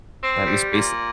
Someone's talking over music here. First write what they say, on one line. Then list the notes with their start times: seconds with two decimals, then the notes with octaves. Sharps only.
that was base
0.20 C4
0.46 G3
0.72 A#2